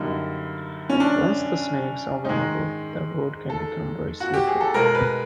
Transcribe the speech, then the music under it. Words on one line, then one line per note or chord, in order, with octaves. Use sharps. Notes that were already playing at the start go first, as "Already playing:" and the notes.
Once the snakes are run over, the road can become very slippery.
Already playing: F#2 D3 G3 A#3 D#4
C#4
D4
G#2 D#3 G#3 D#4
A4
F#4
G4
G#4
A4
B2 G#3 A#4
B4